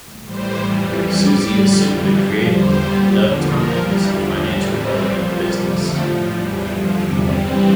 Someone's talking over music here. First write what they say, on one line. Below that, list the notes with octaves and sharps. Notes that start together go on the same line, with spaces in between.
Susie assumed the creative and Doug Tompkins the financial role in the business.
A2 E3 G3 C5
F2 E3 G3
F2 E3 G3
A2 G3 D5
F2 D3 G3
F2 E3 G3
G2 F3 C5
E2 D3 G3 C5
A#2 G3
E2 D3 F3
A#2 F3 A#4
G2 E3 G3
E2 D3 F3
A2 E3 G3 A4
F2 E3 G3 C4
A#2 F3
F2 C3 G3 A#3
F2 D3 F3 A3
A2 F3
E2 E3 G3
G2 D3 F3
E2 C3 G3 C4
G2 E3 G3 C4